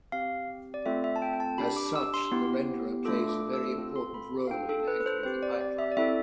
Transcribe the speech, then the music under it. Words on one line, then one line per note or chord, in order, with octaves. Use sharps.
As such, the renderer plays a very important role in anchoring the pipeline.
C4 G4 F5
D5
A3 C4 F4 A4 E5
E5
A5
G5
G5
A5
D4 G4 B5
D6
E6
C6
B3 E4 G4
A3 D4 F4 A4 D6
D6
E6
C4 F4 A4
C6
B5
F5
D4 F4 A4 G5
A4
A4
B4
B4
C5
C4 G4 C5
D5
D5
E5
D5
C4 E4 A4 E5